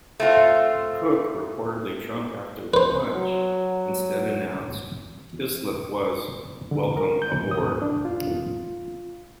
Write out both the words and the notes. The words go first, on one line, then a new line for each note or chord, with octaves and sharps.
Cook, reportedly drunk after the lunch, instead announced Hislop was "welcome aboard".
A3 C4 F4
B4 C5
F#3
D3
A#4
G6
D#6
D4
F4